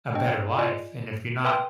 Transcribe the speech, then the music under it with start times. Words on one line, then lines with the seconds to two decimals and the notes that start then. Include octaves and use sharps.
a better life, and if you're not
0.15 B3 D4 D#5 G5
0.58 F4 D5 D#5 G#5
1.44 B4 E5 G5 G#5 C6 D#6